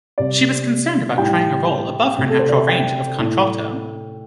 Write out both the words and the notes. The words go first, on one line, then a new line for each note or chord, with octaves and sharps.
She was concerned about trying a role above her natural range of contralto.
C3 G3 D5
A2 G3 G5
C3 A3
A4
C5
D5
E5
G5
A2 A3